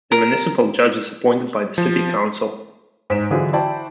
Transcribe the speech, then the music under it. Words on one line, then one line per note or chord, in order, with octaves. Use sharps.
The Municipal Judge is appointed by the City Council.
A#4
F3
G#2 B6 D7 E7
D3 E3 F#3 F4 G#4 C5
E4 F#4 C5 D5 G5 A5